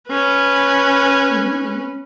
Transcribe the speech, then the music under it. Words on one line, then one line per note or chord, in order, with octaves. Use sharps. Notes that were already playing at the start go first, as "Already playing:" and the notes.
Mhm, mhm.
C#4 B4